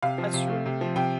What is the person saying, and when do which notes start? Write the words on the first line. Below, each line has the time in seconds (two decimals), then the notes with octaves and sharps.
that's true.
0.03 C3 F5
0.18 F3
0.33 C3
0.49 A3
0.66 C3
0.81 F3
0.96 C3 G5